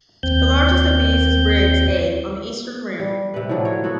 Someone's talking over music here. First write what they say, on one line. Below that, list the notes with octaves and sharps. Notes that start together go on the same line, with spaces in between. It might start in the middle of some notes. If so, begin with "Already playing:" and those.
The largest of these is Briggs A on the eastern rim.
D#2 C4 G6
G3
C3 B4
A2 D3 F3 F#3
C#5
B3 F#4 A4